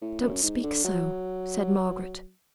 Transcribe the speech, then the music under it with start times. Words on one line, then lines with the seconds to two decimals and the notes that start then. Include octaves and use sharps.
'Don't speak so!' said Margaret.
0.02 A2
0.22 F#2
0.43 G#2
0.63 D3
0.84 F#3